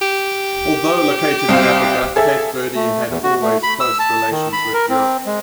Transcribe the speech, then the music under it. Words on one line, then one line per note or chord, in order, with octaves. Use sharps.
Although located in Africa, Cape Verde had always close relations with Europe.
G4
C2 C4 F5
G#4 A4 E5
A3
E2
F#4
A3
B5
E6
A5
D#3
B5
A#4
C4
G#3